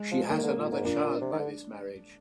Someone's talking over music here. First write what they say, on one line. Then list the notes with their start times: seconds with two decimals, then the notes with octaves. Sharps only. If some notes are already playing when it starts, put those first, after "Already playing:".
She has another child by this marriage.
Already playing: G#3
0.12 F3
0.30 D#3 A#3
0.43 D3
0.58 A#2
0.72 G#2
0.85 A#2 D4
1.03 A#2
1.21 C3
1.33 D#3
1.39 D3